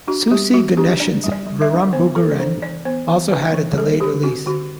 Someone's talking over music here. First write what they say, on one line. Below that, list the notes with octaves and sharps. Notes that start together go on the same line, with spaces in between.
Susi Ganeshan' s "Virumbugiren" also had a delayed release.
D4 F#4
G3 G4
G3 F#4
D4 G4
D4 D5
G3
D5
G3
E5
D4
B3 C5
E3 A4
D5
D4 C5
E3 D5
B3 C5
E3
D4 B4
E3
G3 A4
D3 G4
C4 F#4
D3 F#4